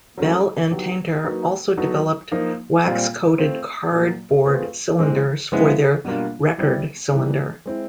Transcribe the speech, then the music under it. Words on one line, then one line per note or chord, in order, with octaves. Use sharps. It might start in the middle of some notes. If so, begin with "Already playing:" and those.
Bell and Tainter also developed wax-coated cardboard cylinders for their record cylinder.
F#3 A3 C#4 F4 A#4
F#3 B3 D#4 G4
F#3 A#3 D#4 F#4 B4
F#3 B3 D#4 F#4 A4
F3 A#3 D#4
A#2 G3 C4 F4
A3 C4 F4
A#2 F#3 A#3
A3 C4 F4 G#4 B4
E3 G#3 C4
C#3 F3 G#3 B3 E4
B2 G3 A#3 D4 F4
G3 C4 E4 G4
C3 E3 G3 B3 D#4
G#3 C4 E4